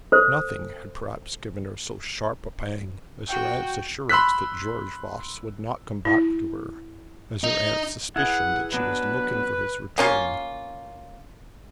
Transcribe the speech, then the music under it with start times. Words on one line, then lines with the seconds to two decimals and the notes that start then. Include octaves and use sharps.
Nothing had, perhaps, given her so sharp a pang as her aunt's assurance that George Voss would not come back to her, as her aunt's suspicion that she was looking for his return.
0.12 A4 C5
3.27 F#4 G5
4.09 B5 C6 E6 F#6 B6
6.05 E4
7.44 D#4
8.16 E4 G#4 B4 F#5
8.72 F#3 B3 D4 B4
9.98 A#3 C#4 F4